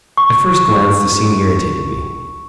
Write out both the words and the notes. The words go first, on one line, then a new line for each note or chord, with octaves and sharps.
At first glance the scene irritated me.
C#6